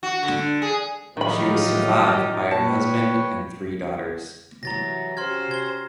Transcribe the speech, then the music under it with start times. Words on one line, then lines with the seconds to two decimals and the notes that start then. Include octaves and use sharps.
She was survived by her husband and three daughters.
0.03 F#4
0.23 D3
0.62 G#4
1.17 A2 D#3 F3 F#3 D#4 F4 G4 B5
2.51 A#2 B4 C#5 G5 A5
4.63 C3 E3 F#3 A#5 A6 A#6
5.17 C#4 F#4 G4 C5 C6 F6 G#6
5.51 G#6 G7